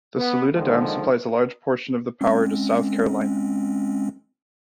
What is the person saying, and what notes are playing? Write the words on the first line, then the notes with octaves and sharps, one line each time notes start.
The Saluda Dam supplies a large portion of the power to South Carolina.
B3
D3 D#3 F3 G#3
G#3 C4 C#4